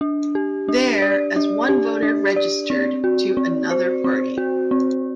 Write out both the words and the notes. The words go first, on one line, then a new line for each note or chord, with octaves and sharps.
There as one voter registered to another party.
D4
G4
D4
D5
D4
G4
D4
D5
C4
F#4
C4
C5
C4
F#4
C4